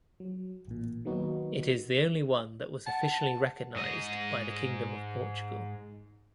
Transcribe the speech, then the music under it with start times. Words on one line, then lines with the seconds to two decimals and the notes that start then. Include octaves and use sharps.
It is the only one that was officially recognised by the Kingdom of Portugal.
0.20 F#3
0.67 A1 A#2
1.05 D#3 F#3 A#3 B3 D#4 F#4
2.87 F#5 A5
3.76 G#2 D#5